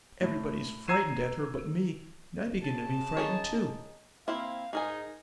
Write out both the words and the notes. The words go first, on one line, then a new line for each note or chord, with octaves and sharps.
Everybody is frightened at her but me, and I begin to be frightened too.
A2
A#5 E6 G#6 C7 D#7 E7
C#3 A5
D#4 G#4 C#5
A#3 C4 E4 F5
G#2 D#4 G#4 A#4 G#5